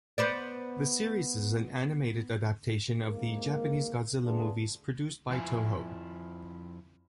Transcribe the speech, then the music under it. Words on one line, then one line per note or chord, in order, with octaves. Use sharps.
The series is an animated adaptation of the Japanese "Godzilla" movies produced by Toho.
B3 C5 D5
F2 G#2 G#3 A#3
G#3 A3 B3 D4 F4 G#4
F2 F3 E4 G#5